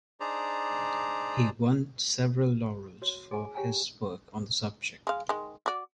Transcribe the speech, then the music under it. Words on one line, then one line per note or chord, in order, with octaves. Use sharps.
He won several laurels for his work on the subject.
D4 D#4 G#4 C5 D5 A#5
F#4 C#5
G#4 G#5
G4 C#5 G5 G#5 A#5
G#3 F5
D#3 G#3
F#4 D5